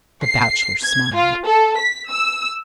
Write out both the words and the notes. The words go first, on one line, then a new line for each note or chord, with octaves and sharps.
The Bachelor smiled.
C7
G#6
F4
A4
B6
E6